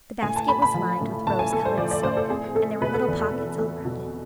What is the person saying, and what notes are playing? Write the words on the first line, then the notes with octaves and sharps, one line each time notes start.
The basket was lined with rose-colored silk, and there were little pockets all around it.
A2 G#5
A5
A3 B5
B5
F3
A2
A2 A5
G#5
A3 A4
C5
F3 D5
D5
A2 C5
A4
C4 G#4
A3 A4
B2 B4
A4
E2
A4
C4
A3
B2